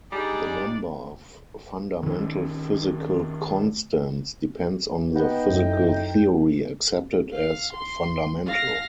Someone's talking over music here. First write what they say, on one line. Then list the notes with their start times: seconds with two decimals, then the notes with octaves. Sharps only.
The number of fundamental physical constants depends on the physical theory accepted as "fundamental".
0.12 G3 D4 D#4 G#4 D5
2.03 D#3 C#4
5.15 B3 D#4 G5
5.50 F#2 A2
7.32 F5
7.73 C6
8.47 F5 A#6